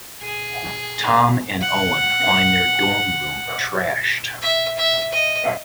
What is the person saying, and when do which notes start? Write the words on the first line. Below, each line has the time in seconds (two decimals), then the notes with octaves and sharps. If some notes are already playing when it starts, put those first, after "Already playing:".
Tom and Owen find their dorm room trashed.
0.21 G#4
1.61 F#5
4.42 E5
4.78 E5
5.13 D#5